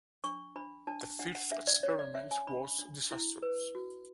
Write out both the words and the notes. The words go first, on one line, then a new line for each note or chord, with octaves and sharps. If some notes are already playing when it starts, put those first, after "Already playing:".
This first experiment was disastrous.
D4 C#6
D4 B5
D4 A5
D4 F#5
F#5
D4 E5
D5
C#4 C#5
D5
C#4 E5
G#5
D4 B5
D4
E4
B4
F#4